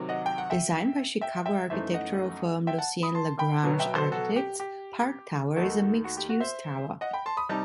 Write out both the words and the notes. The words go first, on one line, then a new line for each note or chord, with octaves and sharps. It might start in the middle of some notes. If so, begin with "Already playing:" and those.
Designed by Chicago architectural firm Lucien Lagrange Architects, Park Tower is a mixed-use tower.
Already playing: C3 D#3 F#3
D#5 F#5
G5
F#5
E5 G5
E5 G5
E5 G5
F#2 E3 A3 D#4 C5 E5
D#5 F#5
E5 G5
F#5 A5
B5 D#6
A5 C6
G5 B5
B2 F#3 B3
E5 G5
A4 C5
F#4 A4
G4
G4
D#2 D#3 A3 D#4 F#4 A4
F#4
G4
F#4
C5 E5
D#5 F#5
G5 B5
A5 C6
B5 D#6
C3 G3 D#4 A5